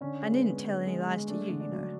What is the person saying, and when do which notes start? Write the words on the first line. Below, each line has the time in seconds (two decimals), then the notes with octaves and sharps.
I needn't tell any lies to you, you know.
0.01 D3 C#4
0.22 G#3
0.32 B3
0.44 G#3
0.65 D3
0.87 G#3
1.07 G#3
1.28 A3 D4
1.49 D3
1.60 D4
1.71 F#3